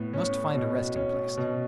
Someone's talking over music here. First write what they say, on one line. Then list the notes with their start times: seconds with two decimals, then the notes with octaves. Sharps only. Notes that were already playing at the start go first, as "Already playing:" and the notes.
I must find a resting place.
Already playing: A2 B3
0.13 C#4
0.54 B2
0.96 C#4
1.37 B2